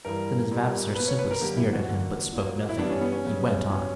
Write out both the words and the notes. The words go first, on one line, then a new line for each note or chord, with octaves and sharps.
Then, as Vavasor simply sneered at him, but spoke nothing, he went on.
G2 E3 G3 A#4
A#2 G3 A#3
B2 A#3 B4
C#5
B4
A#4
F#2 D3 A#3 G4
E4
F#4
E2 D3 A#3
A#2 F#3 A#3
E4
G2 E3 G3 B3 D4
C#4
B3
C#4
F#2 C#3 G3 B3
G2 F#3 B3 C#4